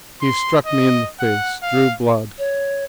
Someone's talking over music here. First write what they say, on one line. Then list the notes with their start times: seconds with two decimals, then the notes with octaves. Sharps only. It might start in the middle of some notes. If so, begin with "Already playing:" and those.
He struck me in the face, drew blood.
0.21 C6
0.66 D#5
1.20 F#5
1.62 F5
2.38 C#5